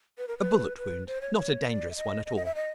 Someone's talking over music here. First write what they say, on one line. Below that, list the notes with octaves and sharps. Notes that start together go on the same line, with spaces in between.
"A bullet wound--not a dangerous one at all."
B4
A#4
B4
B4
C5
C#5
C#5
D5
E5
D#5
D#5
D#5
E5
D#5